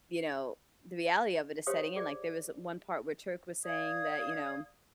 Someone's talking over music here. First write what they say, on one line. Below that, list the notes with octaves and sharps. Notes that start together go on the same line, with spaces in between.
you know the reality of it is setting in like, there was one part where Turk was saying that, you know
G4 C5 C#5 F5 D#6
G#4 D5
D5 F5 D#6 G#6